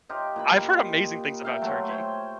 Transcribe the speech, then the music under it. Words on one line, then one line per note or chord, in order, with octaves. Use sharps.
I I've heard amazing things about Turkey.
D#4 F4 G4
A#2 G4 B5
E5 F5 G5 A#5
F#3 A3 F4
C5 C#5 G5